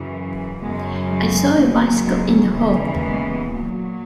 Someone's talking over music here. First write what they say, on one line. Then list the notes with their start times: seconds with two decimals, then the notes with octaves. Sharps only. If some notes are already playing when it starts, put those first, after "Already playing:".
I saw a bicycle in the hall.
Already playing: F#2 C#3 E3
0.61 F#2 C#3 F#3 G#3 B3
1.09 G#3
1.58 D#2 C#3 F#3
2.06 G#3
2.54 D#2 C#3 E3
3.02 G#3 B3
3.50 A#2 F#3